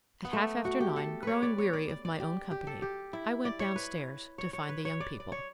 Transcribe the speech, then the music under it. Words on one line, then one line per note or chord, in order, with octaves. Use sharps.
At half after nine, growing weary of my own company, I went downstairs to find the young people.
B3
A3
F#4
G4
A4
B4 C#5
D5
C#5
D5
D5
D5
G4
G4
A4
G4
E4
D5
C#5
B4
C#5
C#5
B4
C#5
D5
D5
C#5